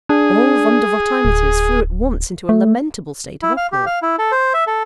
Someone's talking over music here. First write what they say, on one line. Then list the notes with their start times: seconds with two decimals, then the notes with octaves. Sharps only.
All Vondervotteimittiss flew at once into a lamentable state of uproar.
0.09 D4 G#4
1.25 D1
2.49 A3
3.43 E4
3.57 F5
3.72 G4
3.86 F5
4.02 E4
4.19 A4
4.32 C5
4.54 E5
4.67 A4